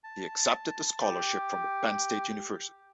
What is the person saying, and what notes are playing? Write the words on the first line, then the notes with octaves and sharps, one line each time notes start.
He accepted a scholarship from Penn State University.
A5
G4